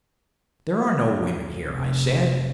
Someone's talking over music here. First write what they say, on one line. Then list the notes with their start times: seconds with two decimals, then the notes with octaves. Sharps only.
'There are no women here,' I said.
1.68 F1